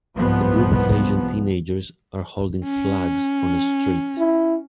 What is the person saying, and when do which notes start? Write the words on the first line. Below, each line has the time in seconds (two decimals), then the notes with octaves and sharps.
A group of Asian teenagers are holding flags on a street.
0.16 C2 G#2 F3 B3
2.64 C#4
4.18 E4